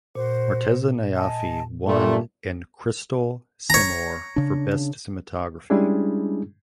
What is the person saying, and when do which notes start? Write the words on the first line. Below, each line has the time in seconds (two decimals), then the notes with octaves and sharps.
Morteza Najafi won an Crystal Simorgh for Best Cinematography.
0.15 A#2 F#4 C5
1.15 D#5 G#5 A5
1.87 A#2 G3 A3 C6
3.70 C#5 A#5
4.36 C#3 D4
5.70 G3 G#3 C#4 D4 E4 G#4